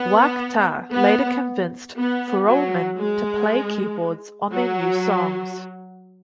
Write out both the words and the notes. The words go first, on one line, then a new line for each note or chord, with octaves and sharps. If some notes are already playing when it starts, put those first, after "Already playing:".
Waaktaar later convinced Furuholmen to play keyboards on their new songs.
Already playing: B3
B3
B3
F#3
G#3
F#3